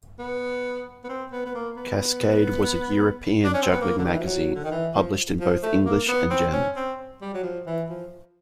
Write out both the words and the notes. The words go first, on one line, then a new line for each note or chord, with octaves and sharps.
"Kaskade" was a European juggling magazine, published in both English and German.
B3
B3
C4
B3
B3
A#3
B3
D4
C#4
C4
B3
A#3
D3
D#3
E3
F3
F#3
D3
D#3
E3
F3
F3
A3
A#3
B3
C4
C#4
C4
G3
F#3
F3
E3
F3